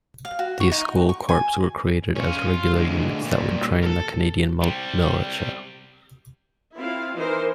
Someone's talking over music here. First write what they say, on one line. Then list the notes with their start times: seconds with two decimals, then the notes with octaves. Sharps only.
These school corps were created as regular units that would train the Canadian militia.
0.25 F5
0.39 F#4
0.60 C#6
0.72 D#4
0.88 F#4
1.09 C#6
1.29 G#5
2.15 C#4 F4
2.46 F4
2.75 D2 G#3
3.24 A#2 G3
3.83 A4 A#4
4.62 C3 G3
6.77 C4 E4 F4 F5
7.15 E3 D#4 A#4 C5